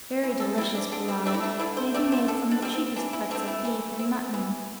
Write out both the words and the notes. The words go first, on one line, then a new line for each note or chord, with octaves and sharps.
Very delicious pullao may be made from the cheapest cuts of beef and mutton.
E3
A4
G3 C4 E4
D4
D3 D4
C4
A3 C4 D4
E4
D4
D3 E4
C5
A3 C4 D5
C5
D3 A4
D4
G3 C4
C4
E3 D4
E4
A3 C4 D4
E4
E3
C4
E3